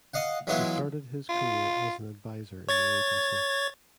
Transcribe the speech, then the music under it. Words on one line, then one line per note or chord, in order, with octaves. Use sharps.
He started his career as an advisor in the agency.
D#5 F5 F#5
E3 F#3 G#3 B3 E4 F4
F4
C#5 G#6 A6